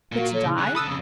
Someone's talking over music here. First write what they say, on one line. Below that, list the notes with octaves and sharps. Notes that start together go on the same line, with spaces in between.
But to die?
A#2 F#4 A#4 F5
A4 C#5
C#3 D4 E4
D3 G#4 F#6
C#3 A4 B5 D#6 E6
F2 C#3